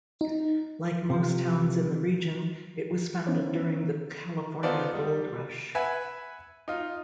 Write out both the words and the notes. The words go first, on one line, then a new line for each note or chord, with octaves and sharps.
Like most towns in the region, it was founded during the California Gold Rush.
D#4
C3 F3
B3 C#4 D#4 E4 C5 C#5
B3 D#4 F4 A4 C5 D5
G3
B4 E5 F#5 G#5
D#4 F4